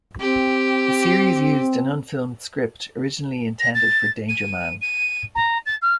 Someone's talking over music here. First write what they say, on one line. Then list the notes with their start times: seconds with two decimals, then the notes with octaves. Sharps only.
The series used an unfilmed script originally intended for "Danger Man".
0.20 C4 G4
3.59 A#6
3.74 A6
4.28 D#7
4.81 D#7
5.35 A#5
5.66 A6
5.81 F6